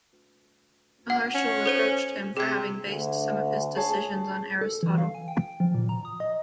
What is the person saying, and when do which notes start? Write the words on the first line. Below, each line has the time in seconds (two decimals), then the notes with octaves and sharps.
Maharshal reproached him for having based some of his decisions on Aristotle.
1.10 F#5
1.35 C#4
1.66 A4 C5 D#7
2.37 C3 G#4 G#6
2.86 D2
3.76 G#4 C#5 A5
4.61 A4
4.83 E3
4.98 F5
5.15 G#5
5.28 G5
5.60 F3
5.74 A#2
5.89 A#5
6.05 D#6
6.20 D#5